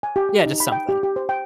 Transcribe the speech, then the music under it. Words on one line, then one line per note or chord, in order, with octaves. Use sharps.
Yeah, just something.
G#5
G4
G4
D#4
B5
G5
G4
G4
C5
G5